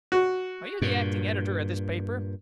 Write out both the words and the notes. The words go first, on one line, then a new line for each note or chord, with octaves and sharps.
"Are you the acting editor of this paper?"
F#4
G2 A#2